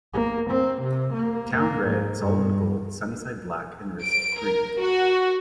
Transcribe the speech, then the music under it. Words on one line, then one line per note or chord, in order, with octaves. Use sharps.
Town red, Solomon gold, Sunnyside black and Rissik green.
A#3
C4
C3
A#3
A#3
G#2
G2
D7
A#4
F#4